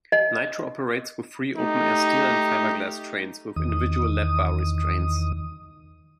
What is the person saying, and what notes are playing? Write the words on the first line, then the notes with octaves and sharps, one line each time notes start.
Nitro operates with three open-air steel and fiberglass trains with individual lap bar restraints.
D#5
A3 D#4 G4
E2 D#3 D#6